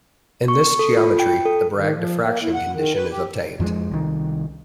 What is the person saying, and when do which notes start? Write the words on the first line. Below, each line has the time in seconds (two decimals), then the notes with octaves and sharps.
In this geometry the Bragg diffraction condition is obtained.
0.48 C#6
0.79 A4
0.97 F4
1.19 G5
1.46 A4
1.74 D#3
1.95 F3
2.20 A#3
2.43 E4
2.54 F#5
2.73 D#3
2.95 B4
3.10 G4
3.60 F2 F3 F#3 G#3
3.91 C2 D#3